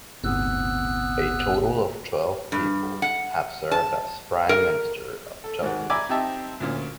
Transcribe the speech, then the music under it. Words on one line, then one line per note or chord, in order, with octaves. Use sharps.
A total of twelve people have served as Prime Minister of Togo.
G1 D2 A2 C3 B3 E6 F#6
G2
F#5
A5
A#4
A4
G#2 D#3 F#4
D5 E5 G#5 A#5 B5 D6
C4 D#4 G4 E5 A5
D2 A#2 C#4